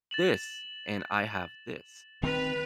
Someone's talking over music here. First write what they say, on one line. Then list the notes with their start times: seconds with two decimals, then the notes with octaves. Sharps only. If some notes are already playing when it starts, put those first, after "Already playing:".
this, and I have this.
0.11 A6 E7 F#7
2.23 D#3 C4 B4 F7